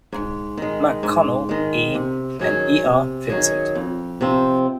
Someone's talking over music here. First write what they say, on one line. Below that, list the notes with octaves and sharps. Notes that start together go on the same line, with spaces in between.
MacConnell, E., and E. R. Vincent.
G#2
D#3 G#3
G#2
D#3 G#3
C3
D#3 F#3 C#4 G#4
C3
D#3 F#3 C#4 G#4
F2
C3 F3 C4